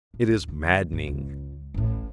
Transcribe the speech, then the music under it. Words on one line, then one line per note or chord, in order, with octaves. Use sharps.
It is maddening.
A2
D1 A1
D3
G#2
C#2
A1 A2